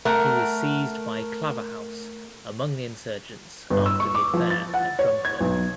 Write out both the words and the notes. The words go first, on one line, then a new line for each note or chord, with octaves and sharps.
He was seized by Claverhouse among the insurgents after the affair at Drumclog.
A3 A#4 F#5
G1
E6
C#6
D6
F3
A6
F#5
C#5
G#6
B1